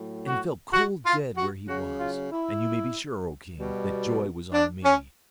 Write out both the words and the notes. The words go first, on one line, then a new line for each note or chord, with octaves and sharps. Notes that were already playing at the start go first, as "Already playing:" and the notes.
And he fell cold dead where he was; and you may be sure, O king, that joy was on me.
Already playing: A2 F#3
F#4
F#4
F4
F#4
C#3 F#3 F#4
F4
E4
B2 G3
D4
C#4